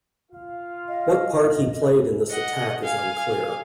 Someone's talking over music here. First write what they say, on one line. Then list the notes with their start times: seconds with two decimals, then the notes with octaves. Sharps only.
What part he played in this attack is unclear.
0.32 F4 F5
0.88 D#5
2.30 D#5 F#5
2.84 F5 G#5